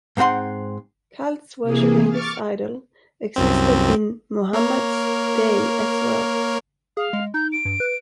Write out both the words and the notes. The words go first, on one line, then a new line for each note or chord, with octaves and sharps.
Cults worshipping this idol existed in Muhammad's day as well.
G#2 C4 C5 F#5 C6
C3 E3 A#3 G#4
C#6 D6 F6 A6
C2 F#2 C4
A#3 A#4 C#5
G#4 F5
G#3
D#4 G6
D7
G2
B4